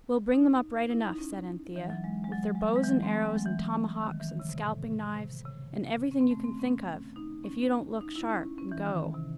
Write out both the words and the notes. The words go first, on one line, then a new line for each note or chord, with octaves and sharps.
'We'll bring them up right enough,' said Anthea, 'with their bows and arrows, and tomahawks, and scalping-knives, and everything you can think of, if you don't look sharp and go.'
D#4
E4
D#4
C#4
E3
F#3
G#3
G#3
F#3
G#3
F#3
G#3
E3
F#3
C4
A3
G#3
F#3
E3
D#3
E3
D#3
C#3
C3
A2
C3
C#3
C#4
C4
A3
C4
C#4
D#4
C#4
D#4
E4
C#4
C#4
E3
D#3
C3